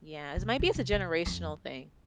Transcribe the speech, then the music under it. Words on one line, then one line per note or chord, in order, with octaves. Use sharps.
yes, maybe it's a generational thing
C3
C3
C3
C3
F2